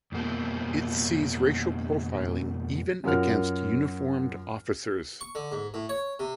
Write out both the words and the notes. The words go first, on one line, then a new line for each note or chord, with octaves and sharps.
It sees racial profiling even against uniformed officers.
F2 B2 A#3 C4
F#2 F#3 F4 F#4 A#4 F6
C#6
D3
G#2
A2
C#5
C3